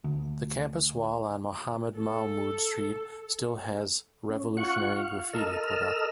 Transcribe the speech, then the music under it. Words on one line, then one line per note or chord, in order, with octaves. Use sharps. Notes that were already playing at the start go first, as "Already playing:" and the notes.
The campus wall on Mohamed Mahmoud Street still has revolutionary graffiti put up.
D2
A4
C#4
F4 F#5 C#6
F5
A4 A#4 D#5 E6 F6